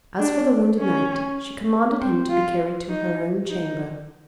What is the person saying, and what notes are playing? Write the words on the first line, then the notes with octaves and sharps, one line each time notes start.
As for the wounded knight she commanded him to be carried to her own chamber.
D4
C#4
C4
F4
D#4
D#4